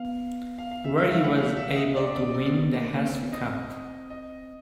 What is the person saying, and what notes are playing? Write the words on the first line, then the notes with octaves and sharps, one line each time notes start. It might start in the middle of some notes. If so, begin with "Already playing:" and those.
Where he was able to win the Hazfi Cup.
Already playing: B3 F5
F5
F5
E5
G3 E5
G#3 F5
A3 F#5
A#3 F5
E5
D#5
D5
B3 D5
C4
C4
B3
A#3
A#3
C4
B3
C4 D#5
D#5